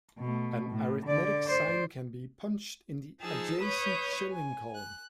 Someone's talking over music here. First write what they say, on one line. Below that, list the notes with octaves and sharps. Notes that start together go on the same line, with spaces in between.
An arithmetic sign can be punched in the adjacent shilling column.
B2 A3
A2
D3 D5
C5 D5
F3 D#4 G#4 A5 E6
B4 C#5 B5 D#6 G6
G#5
F#6